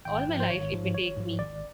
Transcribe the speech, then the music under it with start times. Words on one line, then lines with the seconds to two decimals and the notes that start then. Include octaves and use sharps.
All my life it may take me!
0.05 G#1 G5
0.28 G#2 F3
0.40 C5
0.49 G#1 C#5
0.72 G#2 F3
0.94 G#1 C#5
1.17 G#2 F3
1.39 G#1 D5